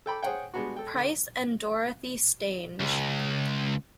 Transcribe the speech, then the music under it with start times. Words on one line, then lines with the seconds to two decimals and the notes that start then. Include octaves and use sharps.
Price and Dorothy Stange.
0.06 A4 G5 B5 D6
0.23 G#4 C5 C#5 F#5 G5
0.54 G3 G#3 B3 D4 F#4
0.76 A4 G5
0.94 D3
2.80 C#2